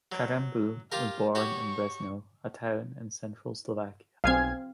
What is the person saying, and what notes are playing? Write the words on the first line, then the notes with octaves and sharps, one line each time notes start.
Karembeu was born in Brezno, a town in central Slovakia.
F#3
F4 G4 A#4 F5
F#4 G4 C#5 C#6
B1 C4 F5 G#5 G#6